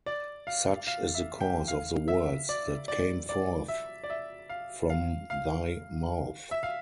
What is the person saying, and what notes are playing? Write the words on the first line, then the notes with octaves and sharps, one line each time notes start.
Such is the course of the words that came forth from thy mouth.
D5
F5
F5
E5
G5
F5
E5
D5
D5
D5
E5
D5
E5
F5
F5
F5
E5
F5